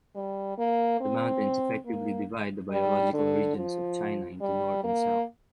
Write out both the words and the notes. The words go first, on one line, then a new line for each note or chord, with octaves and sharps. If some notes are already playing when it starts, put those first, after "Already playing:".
The mountains effectively divide the biological regions of China into north and south.
G3
A#3
C4
A#3
G3
D3
F3
G3
A#3